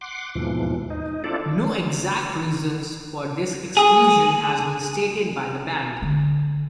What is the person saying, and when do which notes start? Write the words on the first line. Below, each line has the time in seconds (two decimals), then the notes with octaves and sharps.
No exact reasons for this exclusion has been stated by the band.
0.01 F#5 C6 D6
0.35 D#2 G#2 B2 E3 F3
0.90 D#4
1.24 C4 D4 E4 F4 A4 D5
3.77 G#4
6.02 D3 C4